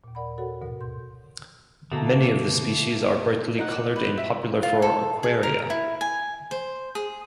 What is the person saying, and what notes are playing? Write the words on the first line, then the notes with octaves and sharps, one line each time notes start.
Many of the species are brightly colored and popular for aquaria.
D#2 A#2
A#4 D5 F#5 B5
F#4 A4 A#4 C#5 F#5
D2 G#2 B2 A#4
C6 G6
B2 D3 A3 A#3
D#4 F#5
D6
B4 C5
E5
F4
A4
G#4
A#4
E4
G#5
C5
G#4